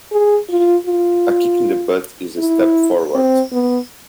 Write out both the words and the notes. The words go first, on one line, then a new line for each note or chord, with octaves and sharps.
A kick in the butt is a step forward.
G#4
F4
F4
E4
C4
B3